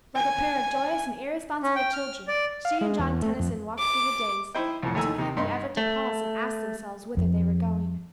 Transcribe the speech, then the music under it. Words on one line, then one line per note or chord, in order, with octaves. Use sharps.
Like a pair of joyous and irresponsible children she and John Tenison walked through the days, too happy ever to pause and ask themselves whither they were going.
G#5
C#4
G5
F6
D5
F5
G#3
E2
A3
F2
D6
D#4 E4 C5 D#5 G5
C2 F2 A2
D#2 A3 G#5 A#5 E6
C3 D#3
G2 D#4 C6
A3
F2